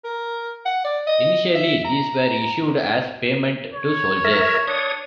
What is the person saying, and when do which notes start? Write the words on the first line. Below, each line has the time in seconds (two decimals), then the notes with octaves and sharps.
Initially, these were issued as payment to soldiers.
0.04 A#4
0.66 F#5
0.85 D5
1.07 D#5
1.55 E5
1.85 A#5
3.74 C#5
4.24 A#4 E5
4.67 D4 C#5 D#6